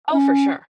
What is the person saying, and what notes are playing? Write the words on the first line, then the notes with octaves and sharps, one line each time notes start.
Oh, for sure.
C#4